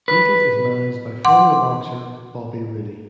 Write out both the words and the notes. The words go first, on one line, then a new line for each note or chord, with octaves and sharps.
Beetle is managed by former boxer Bobby Rooney.
B4
F#5 C6 D6